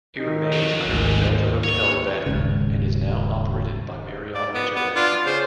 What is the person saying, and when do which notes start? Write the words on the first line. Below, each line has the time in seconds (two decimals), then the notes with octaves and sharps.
It remains under the Delta Hotels banner and is now operated by Marriott International.
0.16 D#3 D#4
0.52 F2 F#3
0.84 G#1 D2
1.29 D#2
1.64 C#5
2.26 D#1 G#2 C#3
4.35 D5
4.54 B3
4.77 B3
4.96 D4 F4
5.26 C#3 C5